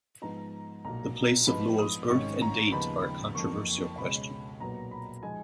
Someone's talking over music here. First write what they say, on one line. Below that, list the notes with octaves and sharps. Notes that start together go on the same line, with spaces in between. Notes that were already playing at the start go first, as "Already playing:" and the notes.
The place of Luo's birth and date are a controversial question.
G#2 F3 G#3 B3 D#4 A#5
B1 A#2 F#3 A#5
G#2 F3 B3 D#4 B5
D#6
G#1 G#2 D#3 G#3 C#4 C#6
A#5
D#2 C#3 F3 B3 D#4 B5
F#1 F2 F3 A#3 C#6
C#2 B2 G#3 C#4 B5
B1 A#2 F#3 B3 A#5
B5
F3 G#3 D#4 G#5